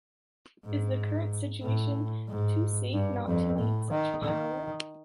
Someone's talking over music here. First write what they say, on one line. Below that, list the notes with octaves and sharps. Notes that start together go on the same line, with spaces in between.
Is the current situation too safe not to need such power?
G#2
A2
G#2
G2
F2
A2
D#3
D#3